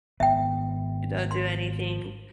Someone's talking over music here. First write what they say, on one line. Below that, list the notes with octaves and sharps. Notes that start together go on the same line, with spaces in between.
don't do anything."
G#1 B3 E5 G5
C6